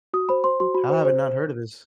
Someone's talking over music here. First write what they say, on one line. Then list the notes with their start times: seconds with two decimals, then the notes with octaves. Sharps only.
How have I not heard of this?
0.14 F#4 D#6
0.29 C5 B5
0.44 C5 C6
0.60 F#4 C6
0.74 F#4 B5
0.90 C5
1.05 C5